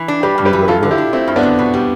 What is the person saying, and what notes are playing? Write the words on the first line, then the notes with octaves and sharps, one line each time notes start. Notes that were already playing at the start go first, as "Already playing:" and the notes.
We were wrong.
Already playing: E3
D4
G3 G4 B4
G2
G4 B4
E3
G2 F4 A4
D3
E4 G4
D4
A3 C4 E4
G2
B3 D4
D3
B2
G3